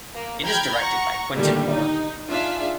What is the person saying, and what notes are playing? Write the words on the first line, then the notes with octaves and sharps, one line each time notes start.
It is directed by Quintin Hoare.
A#3
G5 A#5 B5 F6 G6 G#6
F#5 A#5 C#6
A#2 D3 D#3 G3 A3
D#4
D4 D#4 F4 G#4 E5 F5